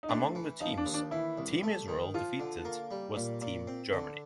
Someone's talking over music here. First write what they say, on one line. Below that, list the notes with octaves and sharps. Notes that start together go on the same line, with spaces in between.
Among the teams Team Israel defeated was Team Germany.
D#4
A3 D4
E3
F3 D#4
D4
D#2
D4
E3 E4
C2
A3
D#3
F3 F4
D3
A#3
G3
A#2
A#2
C4
D3